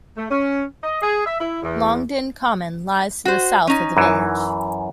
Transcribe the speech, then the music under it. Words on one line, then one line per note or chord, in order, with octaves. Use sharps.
Longden Common lies to the south of the village.
A3
C#4
D#5
G#4
E5
E4
E2
F#4 C5
C#4 D#4
F#2 E3